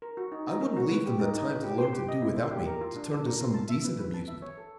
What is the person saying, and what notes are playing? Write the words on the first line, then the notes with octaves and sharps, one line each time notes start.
I wouldn't leave them the time to learn to do without me, to turn to some decent amusement.
A#4
F#4
D#4
D#4
A#4
F#4
B4
G4
D#4
D#4
B4
G4
C5
G4
D#5
E4
C5
G4
A#4
F4
D4
D4
A#4
F4
A5
E5
B4
B4
A5
E5
C#5
A4